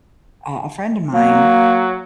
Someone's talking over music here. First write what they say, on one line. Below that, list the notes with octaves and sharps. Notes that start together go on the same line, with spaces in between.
uh, a friend of mine,
F#3 A#3